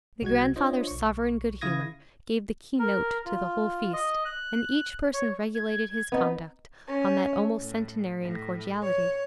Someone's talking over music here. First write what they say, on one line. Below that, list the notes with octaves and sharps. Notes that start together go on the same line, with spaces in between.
The grandfather's sovereign good humor gave the key-note to the whole feast, and each person regulated his conduct on that almost centenarian cordiality.
C2 F#4 F#5 G#6
D4 F4 C5 C#5 D#5
B1 C#6
C#3 E4 F5 D#6 G#6 A#6
A#4
F4
D#5
F#6
C#5
G#6
B3 C4 D#4
C#4
A2
A2
C#5